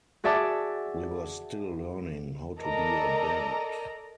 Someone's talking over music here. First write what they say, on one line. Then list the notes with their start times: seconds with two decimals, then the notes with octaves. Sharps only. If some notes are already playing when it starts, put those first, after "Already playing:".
We were still learning how to be a band.
0.24 F#4 G#4 D5 E5 A5 D6
2.60 A4 A#4 D5 D#5 A#5